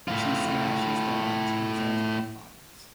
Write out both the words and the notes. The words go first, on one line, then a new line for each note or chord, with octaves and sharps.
She smashes the last of his antidote bottles.
A2 F4